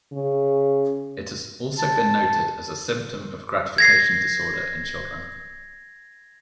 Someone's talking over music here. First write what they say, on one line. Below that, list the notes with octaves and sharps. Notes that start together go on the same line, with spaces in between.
It has also been noted as a symptom of gratification disorder in children.
C#3
A5
G#6 A#6 C7